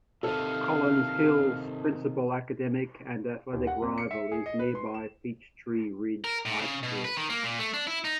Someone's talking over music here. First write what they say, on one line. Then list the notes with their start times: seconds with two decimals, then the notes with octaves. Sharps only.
Collins Hill's principal academic and athletic rival is nearby Peachtree Ridge High School.
0.23 C3 D#3 A4 F5
3.53 D#2
3.67 F#5
3.82 F2
3.98 C#7
4.11 E5
4.32 G#4
4.46 D#5
4.59 B4
4.75 C6
4.94 E7
6.24 A#4
6.46 A2
6.61 C#3
6.83 B2
7.05 B4
7.17 D#3
7.30 A#3
7.44 A#2
7.59 A3
7.74 D4
7.87 E4
8.05 D#4